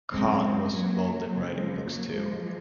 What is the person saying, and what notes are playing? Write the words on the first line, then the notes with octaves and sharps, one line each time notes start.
Khan was involved in writing books too.
F#2 C#3 G#3 C4
G#3 C4
F#3 A#3
F2 C#3 F#3
F3 G#3
F#3 A#3
F3 G#3